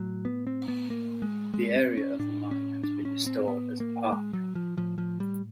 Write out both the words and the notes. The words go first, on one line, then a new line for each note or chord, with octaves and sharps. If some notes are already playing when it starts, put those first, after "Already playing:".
The area of the mine has been restored as a park.
Already playing: A2 F#3
B3
C4
B3
A#3
G#3
G#3
C4
C#4
A2 D4
C#4
D4
C#4
C4
B3
A#3
G#3
F#3
F3
A2 F3
F3
G3